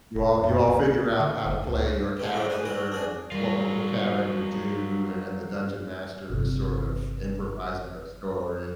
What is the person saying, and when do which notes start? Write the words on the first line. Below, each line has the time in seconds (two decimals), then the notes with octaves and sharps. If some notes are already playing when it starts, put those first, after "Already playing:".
you all you all figure out how to play your character and what would your character do, and then the Dungeon Master is sort of improvising a story.
0.15 F1
0.43 F#2
0.68 B1
1.20 D3
1.45 F#1
1.67 C#2
2.19 G#3 A3 G4
2.33 A2 C#3 F#3 G3
2.50 G#4 B4 C5
2.65 F#3 G3 F#4
2.92 D4 F#4 G#4
3.32 F#3 G3 F4 A#4
6.30 G1 C3